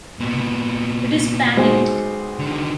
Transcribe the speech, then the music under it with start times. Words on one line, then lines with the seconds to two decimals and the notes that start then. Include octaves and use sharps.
It is panic!
0.19 A#2 B3
1.57 B1 G#3 C5
2.39 D3 D#3